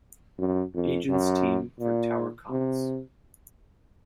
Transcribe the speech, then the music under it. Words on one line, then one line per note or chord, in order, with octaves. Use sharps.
Agents team for Tower Comics.
F#2
F2
F#2
A#2
C3